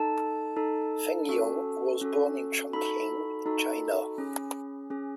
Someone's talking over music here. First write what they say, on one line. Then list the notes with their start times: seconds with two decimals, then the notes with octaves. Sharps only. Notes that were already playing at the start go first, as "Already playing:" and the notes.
Feng Yun was born in Chong Qing, China.
Already playing: D#4 A4 A5
0.56 D#4 A4
1.29 C#4 F#4 A4
2.01 C#4 F#4 A4
2.73 D#4 F#4 A4 B5
3.46 D#4 F#4 A4
4.18 C#4 G#4
4.90 C#4 G#4